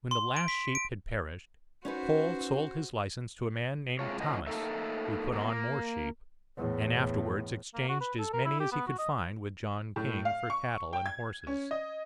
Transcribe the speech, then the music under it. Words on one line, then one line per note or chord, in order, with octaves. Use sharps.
When the last sheep had perished, Cole sold his license to a man named Thomas, who put on more sheep, and afterwards exchanged as many as he could find with John King for cattle and horses.
C6
D7
B6
D7
C#4 D#4 F#4 B4 C5
C3 G#3 F4 C#5
E3 F3 A#3 C#4 F#4 D#5
A3 A#3 D#4 A4 E5
B2 A#3
A#3
E2 A2
A#3
F#4
B4
A4
A#4
E4
G4
B3
F#4
D#5
A2
F5
C#6
G5
G#6
C#4
D#5